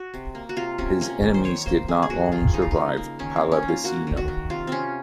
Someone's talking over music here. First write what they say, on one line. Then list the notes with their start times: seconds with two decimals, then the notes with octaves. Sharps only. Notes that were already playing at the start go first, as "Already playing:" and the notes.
His enemies did not long survive Pallavicino.
Already playing: F#4
0.14 C3
0.35 A#3
0.49 F#4
0.56 C3 F4
0.78 C3 C#4
1.01 A#3 C#4
1.23 D#3
1.34 C5
1.44 D#3 C#5
1.66 A#3 C5
1.88 A#3 G#4
2.02 G#4
2.10 D#3 F#4
2.32 D#3 F4
2.54 C#3 D#4
2.62 F4
2.71 D#4
2.76 C#3
2.97 A#3
3.19 D#3 C#4
3.36 D#3 C4
3.52 C#4
3.63 A#3
3.68 F4
3.84 A#3 F#4
4.07 D#3
4.17 F#4
4.28 D#3
4.50 C3 F4
4.67 C3 C4 C#4